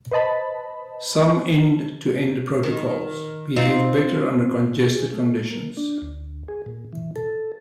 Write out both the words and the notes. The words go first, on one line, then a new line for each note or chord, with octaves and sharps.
Some end-to-end protocols behave better under congested conditions.
B4 C5 D#5 A5 B5
D#3
C4 D#4 F4
G#4
A3
A#3
D4
D2
G#4
A#2
E3
A4